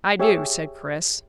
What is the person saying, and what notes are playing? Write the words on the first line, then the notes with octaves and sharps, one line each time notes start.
"I do," said Chris.
G4 G#4 C#5 E5 E6